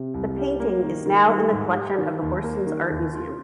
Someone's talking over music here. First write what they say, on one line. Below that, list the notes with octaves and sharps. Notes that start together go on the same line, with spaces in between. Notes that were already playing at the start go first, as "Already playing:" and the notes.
The painting is now in the collection of the Horsens Art Museum.
Already playing: C3
C2
G3
A#3
D#3
D#3
G3
G#2
G4
D#3
D#2
A#3
D#3
D#2
F4